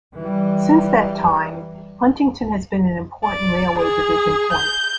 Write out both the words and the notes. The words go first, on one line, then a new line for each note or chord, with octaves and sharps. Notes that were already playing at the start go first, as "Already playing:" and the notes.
Since that time, Huntington has been an important railway division point.
E3 G3
D5
G#4
G6